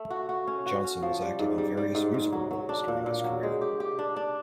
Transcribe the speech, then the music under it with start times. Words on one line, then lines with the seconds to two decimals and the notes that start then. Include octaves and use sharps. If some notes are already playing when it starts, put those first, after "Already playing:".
Johnson was active in various musical roles during his career.
Already playing: A3
0.10 F#4
0.29 F#4
0.47 C#4
0.66 F#4
0.84 C#4
1.02 F3
1.22 G3
1.39 G#2
1.58 G3
1.77 G3
1.95 G#2
2.14 G#2
2.32 F#3
2.51 F#3
2.69 D4
2.88 A#2
3.06 A#2
3.24 F#3
3.43 G#3
3.62 G4
3.80 G4
3.99 D4
4.16 D4